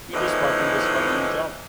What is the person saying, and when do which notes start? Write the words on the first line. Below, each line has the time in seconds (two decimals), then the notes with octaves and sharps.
Peter's boyfriend just got a new job.
0.13 E2 A2 E3 F3 G#3 D#4